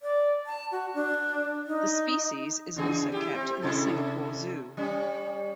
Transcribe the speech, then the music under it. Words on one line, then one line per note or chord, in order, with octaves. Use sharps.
The species is also kept in the Singapore Zoo.
D5
A5
F#4
D4
D#4
E2 C#3 G#4
E4 G4
C4
C3 E4 A4
G3 C#4